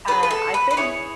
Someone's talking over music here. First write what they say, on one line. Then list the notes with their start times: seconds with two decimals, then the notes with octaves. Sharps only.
uh, I've been
0.07 B3 E4 G#4 B4
0.23 B4
0.31 A4
0.54 B4
0.71 B4
0.77 B3 E4 G#4 C#5